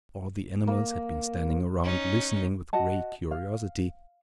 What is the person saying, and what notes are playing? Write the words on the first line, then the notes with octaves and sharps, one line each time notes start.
All the animals had been standing around listening with great curiosity.
A#3
C#4 D#4
F#4 D#5 F#5 A5
F5